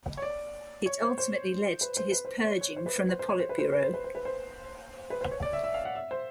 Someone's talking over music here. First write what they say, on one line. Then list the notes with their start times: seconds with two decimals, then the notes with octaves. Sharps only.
It ultimately led to his purging from the Politburo.
0.17 C#5
0.22 D5
0.86 C#5
1.02 C5
1.18 C5
1.81 B4
1.97 C5
2.11 B4
2.25 C5
2.45 C#5
2.61 C#5
2.76 C5
2.86 B4
2.96 C5
3.09 C5
3.19 C5
3.30 C#5
3.40 C5
3.49 B4
3.59 C5
3.72 B4
3.83 C5
3.94 B4
4.04 C5
4.15 B4
4.25 C5
5.10 B4
5.21 C5
5.31 C#5
5.42 D5
5.53 E5
5.64 E5
5.74 F5
5.85 F#5
5.95 E5
6.11 C5